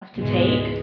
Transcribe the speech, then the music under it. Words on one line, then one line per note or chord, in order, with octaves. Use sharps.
to take.
C#2 G#2 B2 E3 G#3